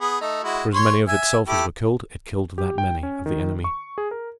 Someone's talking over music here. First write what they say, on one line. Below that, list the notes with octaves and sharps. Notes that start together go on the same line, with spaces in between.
For as many of itself as were killed, it killed that many of the enemy.
B3 G#4
A3 D#4
G#3 E4 F#4
C#5 C6
E5 G#5
A3 E4 G4
G4
G5
C#4
D#3
C#6
G#4
A#4